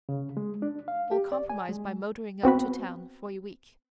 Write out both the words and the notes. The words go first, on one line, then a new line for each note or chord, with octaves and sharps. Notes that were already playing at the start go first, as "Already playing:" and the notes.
We'll compromise by motoring up to town for a week.
C#3
G#3
D4
F5
G4
D5
G#5
G#3
B3 C4 F#4 B4